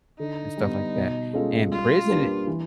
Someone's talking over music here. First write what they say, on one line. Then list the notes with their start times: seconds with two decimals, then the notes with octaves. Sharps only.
And stuff like that and prison i
0.19 D3 D#4
0.57 G3 B3
0.95 B2
1.33 G#3 C#4 F4 A4
1.71 G3 F4
2.09 A#3 D4 G4 B4
2.47 E3